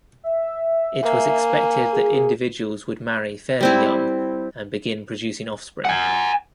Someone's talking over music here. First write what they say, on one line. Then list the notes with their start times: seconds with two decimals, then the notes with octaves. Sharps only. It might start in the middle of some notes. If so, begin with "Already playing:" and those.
It was expected that individuals would marry fairly young and begin producing offspring.
0.24 E5
1.03 A#3 G#5
1.92 G#4
3.61 G3 C4 E4
5.85 F#5 G#5